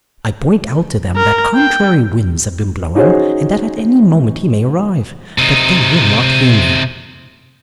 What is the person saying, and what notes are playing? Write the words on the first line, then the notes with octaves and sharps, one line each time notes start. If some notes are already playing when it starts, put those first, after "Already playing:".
I point out to them that contrary winds have been blowing, and that at any moment he may arrive; but they will not hear me.
A#4
G5
C#4 D#4 F#4 G#4 C5 C#5
C3 D#4